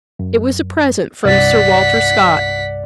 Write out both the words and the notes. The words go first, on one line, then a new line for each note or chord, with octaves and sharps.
It was a present from Sir Walter Scott.
F#2
C2 G2 D5 F#5 A6 B6